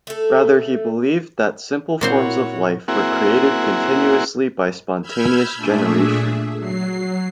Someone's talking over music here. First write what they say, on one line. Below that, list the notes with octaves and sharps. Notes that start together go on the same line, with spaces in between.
Rather he believed that simple forms of life were created continuously by spontaneous generation.
A3 A4
A#2 C4 E4 F#4 C5 C#5
A#3 C4 E4 F#4 G#4 F#5
B5 E6 F6 G6 G#6
A#2 A3 D4 G#4 E5
F#3 C7